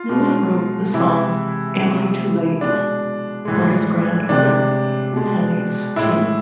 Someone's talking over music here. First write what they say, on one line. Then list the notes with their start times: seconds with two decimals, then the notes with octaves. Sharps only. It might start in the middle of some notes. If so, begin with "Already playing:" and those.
Miller wrote the song "Am I Too Late" for his grandmother, Ahnece Pugh.
Already playing: F4
0.09 B2 G#3
0.94 C3 E3 G#3 E4
1.78 C3 F3 G#3
2.61 B2 G#3 D4
3.45 A2 E3 G#3
4.29 C3 G#3 D4
5.13 B2 G#3
5.96 A2 G#3 E4